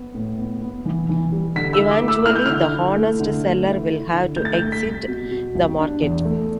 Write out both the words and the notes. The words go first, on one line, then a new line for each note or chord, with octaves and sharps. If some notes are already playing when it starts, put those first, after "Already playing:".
Eventually, the honest seller will have to exit the market.
Already playing: B3
A2
B3
B3
E3
E3
G3
D3 B6
E6
E4
D6
A3 E6
E4 F6
G6
D3 F6
E4
A3
D3
A3
E4
E4
D3
A3 G6
A6
G6
A3
B6
C2
B2
B2
C2
D4
E2
A3